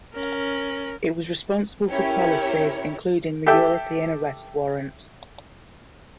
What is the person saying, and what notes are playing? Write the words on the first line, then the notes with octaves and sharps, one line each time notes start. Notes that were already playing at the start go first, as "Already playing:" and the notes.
It was responsible for policies including the European Arrest Warrant.
C#4 A#4
C#4 E4 G4 A#4 C#5
G4 A4 E5 G5